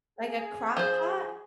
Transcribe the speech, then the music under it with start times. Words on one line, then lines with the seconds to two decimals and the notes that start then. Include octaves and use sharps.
Like a crock pot?
0.19 G#4
0.77 F3 C5